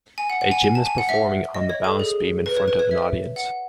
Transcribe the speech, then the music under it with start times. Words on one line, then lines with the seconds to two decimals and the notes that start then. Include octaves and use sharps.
A gymnast performing on the balance beam in front of an audience.
0.18 G#5
0.30 F#5
0.41 F#5
0.51 G#5
0.64 G#5
0.75 A5
0.86 G#5
0.98 F#5
1.09 E5
1.55 D#5
1.70 C#5
1.84 A4
2.00 G#4
2.46 B4
2.57 C#5
2.68 B4
2.79 C#5
2.91 E5
3.36 F#5